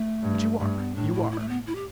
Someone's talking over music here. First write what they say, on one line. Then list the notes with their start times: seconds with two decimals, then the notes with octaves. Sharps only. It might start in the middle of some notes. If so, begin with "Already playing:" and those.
But you are; you are.'
Already playing: A3
0.23 G2
0.59 G2 A3
0.77 B3
0.95 A2 D4
1.13 E4
1.31 E4
1.39 A3
1.49 B3
1.67 E4
1.75 G4